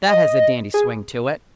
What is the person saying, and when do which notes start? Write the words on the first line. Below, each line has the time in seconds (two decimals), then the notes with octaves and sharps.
"That has a dandy swing to it."
0.09 D#5
0.74 G#4